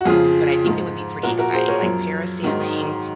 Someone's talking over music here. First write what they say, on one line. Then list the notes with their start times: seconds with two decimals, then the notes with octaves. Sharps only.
but I think it would be pretty exciting, like, parasailing
0.01 F#4
0.05 F2 C#3 F3 F4 G#4
0.64 G#2 F3
1.23 A#2 F3 F#4 A#4
1.38 F#4 A#4
1.53 G#4 C5
1.68 A#4 C#5
1.82 F#2 F3
2.42 G#2 D#3 F#3